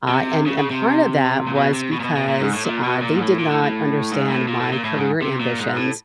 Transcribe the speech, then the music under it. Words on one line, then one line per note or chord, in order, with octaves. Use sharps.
uh, and and part of that was because, uh, they did not understand my career ambitions
C3
C#3
C#3
C3
A#2
B2
C3
B2
A#2
B2
B2
A#2
G#2
A2
A#2
B2
A#2
G#2
A2
A#2
A2
A2
G#2
A2
A#2
A2
A#2
A2
G#2
C3
A#2
G#2
A2